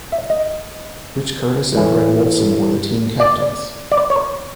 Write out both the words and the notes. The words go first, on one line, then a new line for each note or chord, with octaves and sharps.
Rich Curtis and Gregg Wolfson were the team captains.
E5
D#5
A2 E3
D5
D5
C#5